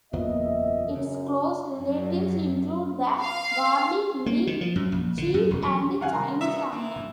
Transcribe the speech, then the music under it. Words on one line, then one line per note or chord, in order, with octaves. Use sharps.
Its close relatives include the garlic, leek, chive, and Chinese onion.
F#1 E2 A#2 B3 D#5 E5
F#2 C#3
F#2
F5
A#3
D#3
F3
F#2
A#1
D3
F#2
E1
F#3
D#3 F#3 D4 F5 F#5 G#5
C3 D#3 G3 A#4 C6
G2 E5
E3 D4
F#2 B2